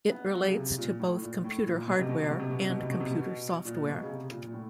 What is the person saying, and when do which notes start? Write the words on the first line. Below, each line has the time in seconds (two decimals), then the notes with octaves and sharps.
It relates to both computer hardware and computer software.
0.11 B3
0.34 F#3
0.47 C#3
0.56 C3
0.78 A#2
1.00 A2
1.22 A#2
1.44 A2
1.66 A#2
1.88 B2
1.99 C3
2.09 B2
2.19 C3
2.29 B2
2.39 C3
2.50 B2
2.60 C3
2.70 B2
2.80 C3
2.90 B2
3.00 C3
3.10 B2
3.65 A#2
3.87 B2
4.03 C#3
4.09 C3
4.31 A#2
4.47 A#2
4.54 A2